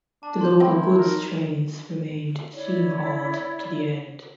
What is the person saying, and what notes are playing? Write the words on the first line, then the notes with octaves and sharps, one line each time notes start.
The local goods trains remained steam hauled to the end.
D4 A5
C6 G6
C4 E4 C5 G5
D#3
D#4 A#4
E4 C#5 D5